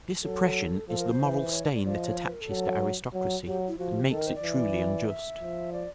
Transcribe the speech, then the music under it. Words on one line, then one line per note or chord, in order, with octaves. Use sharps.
This oppression is the moral stain that attaches to aristocracy and makes it truly unjust.
F#3 A4
F3 A4
A#4
C5
E3
C#5
D5
D5
F3 D5
D#5
C#5
C5
B4
A#4
A4
F#3
F#3
F#3 G4
E4
F3 F#4
G4
D#3 A4
A#4
C5
D5
E3
E5
F3
D5